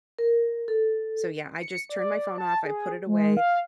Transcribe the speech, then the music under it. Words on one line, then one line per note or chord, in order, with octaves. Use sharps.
So, yeah, I just turn my phone off, I put it away,
A#4
A4
C#7
D5
A5
G#4
G#3
F5